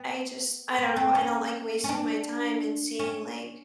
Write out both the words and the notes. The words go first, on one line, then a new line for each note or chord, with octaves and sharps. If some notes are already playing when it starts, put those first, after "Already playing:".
I just I don't know. I don't like wasting my time and seeing, like
Already playing: B3
C4
C4
C#4
C#4
D4
C#4